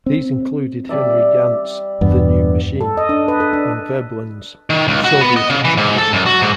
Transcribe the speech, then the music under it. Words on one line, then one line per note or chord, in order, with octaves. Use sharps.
These included Henry Gantt's "The New Machine" and Veblen's "Soviet of Technicians".
C4
G3 D5 E5
E2 G2 B3
A4
D#5
D4
B4
A4
D4
D#3
C#2
F#4
B3
D#5
C#3
E3
G#2
A4
F#2
F#4
G#2